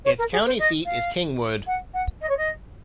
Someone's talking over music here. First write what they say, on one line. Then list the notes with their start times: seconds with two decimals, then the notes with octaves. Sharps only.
Its county seat is Kingwood.
0.05 C#5
0.18 A#4
0.32 G#4
0.46 C5
0.59 D#5
0.85 F5
1.67 F#5
1.94 F#5
2.21 D#5
2.29 C#5
2.37 D#5